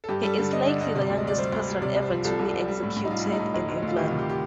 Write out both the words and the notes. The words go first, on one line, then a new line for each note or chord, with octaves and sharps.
He is likely the youngest person ever to be executed in England.
A4
G2 G4
G3 A4
D3 A4
D3 D#5
D3 D5
G2 D#5
C3 D5
D2 D5
D#5
D2 D5
G3 C5
D2
G3
C3 D5
C2
C5
F3
C2 A4
C2
C2
G3
A2
A2
D#4
G3 F4
A2
D#4
A2
D2 D#4
D2
D#4
D2 F4
D#3 G4
C3 F4
G4
G4